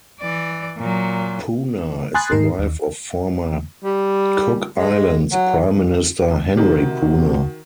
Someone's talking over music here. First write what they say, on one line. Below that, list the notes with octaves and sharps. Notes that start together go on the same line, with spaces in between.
Puna is the wife of former Cook Islands Prime Minister Henry Puna.
E3 D5
A#2 F#3
G#5 B5 C6 D#6 F#6 A6
G#2 D#3 D#4 A#4 C7
D#2
G3
G#3
F#3
C3 D#3 D4 D#4 F#4 G4